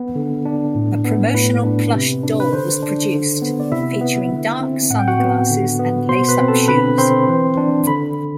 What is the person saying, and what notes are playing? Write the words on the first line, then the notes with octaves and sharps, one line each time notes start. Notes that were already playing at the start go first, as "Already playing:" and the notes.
A promotional plush doll was produced, featuring dark sunglasses and lace-up shoes.
Already playing: B3
D3
D4
A2
B3
A2 B4
D4
C3
D4
B4
D3 C5
D4
D3
B3
D5
C3 E4 E5
B3
D3
C4
A2 F#5
G5
F#4 F#5
B3
D3
B3
B2 C5 C6
B4 B5
C4
A4 A5
D3 B4 B5
C4 C5 C6
E3
D4
D3 B5